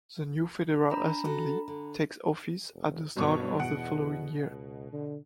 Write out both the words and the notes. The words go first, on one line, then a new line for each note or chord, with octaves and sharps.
The new Federal Assembly takes office at the start of the following year.
D4 A#5 B5
F#4 A4
D3
F1
G2 B2 C#5 C#6
E2 B2 F#5 D7
C#2
D3